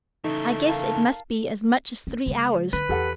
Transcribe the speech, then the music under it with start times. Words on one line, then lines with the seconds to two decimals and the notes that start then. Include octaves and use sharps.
I guess it must be as much as three hours.
0.24 C#3 E3 A3 D#4
0.67 A#4 F5 A5
2.07 C#4
2.26 C#3 G#3
2.73 D3 B4
2.89 E2 G4 A4 F#5